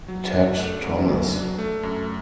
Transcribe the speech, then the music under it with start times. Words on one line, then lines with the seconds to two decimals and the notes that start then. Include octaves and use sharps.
Ted Thomas.
0.08 F#3
0.33 D4
0.58 A3
0.84 F#2
1.08 F#3
1.34 D4
1.58 A3
1.83 F#2